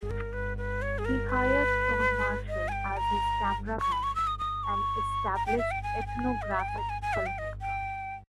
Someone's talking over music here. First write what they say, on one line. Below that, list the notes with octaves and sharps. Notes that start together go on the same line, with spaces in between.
He hired John Marshall as his cameraman, an established ethnographic filmmaker.
G#4
A#4
B4
B4
C#5
G#4
A#4
B4
D#5
G#5
G5
A#5
C#6
B5
C#6
E6
D#6
D#6
C#6
A#5
G5
E5
G5
G#5
G5
G#5
D#5
E5
G5
G#5
A#5
G#5
G#5
E5
G5
D#5
G5